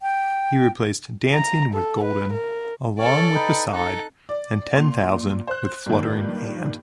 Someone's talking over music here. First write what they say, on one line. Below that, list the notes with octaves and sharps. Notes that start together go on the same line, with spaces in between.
He replaced "dancing" with "golden"; "along" with "beside"; and "ten thousand" with "fluttering and".
G5
A#5
A4
B4
A#4
C#4 A4 C#5 D5
D#4 B4 G5
D#4 A4 F#6
D5
A#2 C6 F7
C5 F#6
G2 A#2 D#3